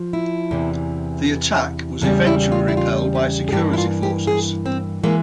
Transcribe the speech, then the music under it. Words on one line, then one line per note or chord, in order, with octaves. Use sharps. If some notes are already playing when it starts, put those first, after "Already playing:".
The attack was eventually repelled by security forces.
Already playing: F3
E4
E2 C3 E3
E2 C#3 G3 C#4
E4
F4
E4
F4
G4
G#4
G2 E3 A#3 G4
E4
F4
G4
G#4
C4
E3 G#3 A#3